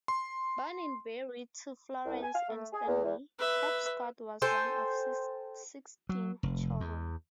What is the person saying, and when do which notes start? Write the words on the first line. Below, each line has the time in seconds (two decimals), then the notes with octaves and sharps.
Born in Barry, to Florence and Stanley, Tapscott was one of sixteen children.
0.08 C6
2.06 C2
2.22 G#5
2.34 F5
2.49 A3
2.73 G#4
2.88 E2
3.05 E2
3.39 B4 E5
4.42 A4 C5 G5 G#5
6.09 F#3
6.43 F1
6.80 E2